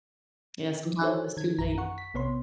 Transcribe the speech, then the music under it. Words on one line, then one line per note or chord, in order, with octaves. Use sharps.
Yeah, sometimes it's too late.
D#4 F#4 A4 C5 C#5
D#3 G#6
A#1 F#2 A#5
F#5 C#6
B6
B1 C3 B3 C#5 B5 C6